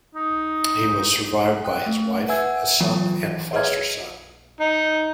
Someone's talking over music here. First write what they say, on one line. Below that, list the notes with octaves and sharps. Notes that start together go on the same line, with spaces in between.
He was survived by his wife, a son and a foster son.
D#4
G5 D#6 F#6
A3
B4 E5 F#5 G#5 E6 G#6
D#3 E3 F#3 B3 F4
E3
G#4 B4 C#5 D#5 F6 G#6
D#4